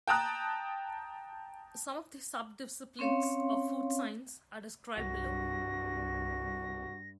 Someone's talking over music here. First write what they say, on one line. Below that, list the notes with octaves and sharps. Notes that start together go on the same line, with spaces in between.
Some of the subdisciplines of food science are described below.
G5 A5 A#5 D#6 F#6
C4 C#4 C#5 F5 C6
C2 G2 F#4 A#6